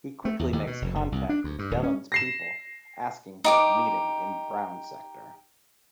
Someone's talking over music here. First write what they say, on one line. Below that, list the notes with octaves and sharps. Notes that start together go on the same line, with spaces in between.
He quickly makes contact with Delenn's people asking for a meeting in brown sector.
A3
E2
D#2
B2
F1
F#1
C2
D4
D2
G2
D1
C#4
A#6 C7 E7
D#4 G4 D6